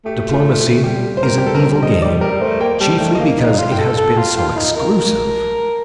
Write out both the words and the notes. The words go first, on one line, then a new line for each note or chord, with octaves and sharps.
Diplomacy is an evil game, chiefly because it has been so exclusive.
A3 G4
F4
G3 G4
C5
A#4
G4
A4
A#4
C5
D#5
D5
A#4
G3
A3 C5
A#3 G5
G3 A5
A3 G5
D#5
A#3 F5
D#4
F5
D#4
F4
G5
A4
A4 A5
F4 A5
F4 G5
D#4 F5
A#4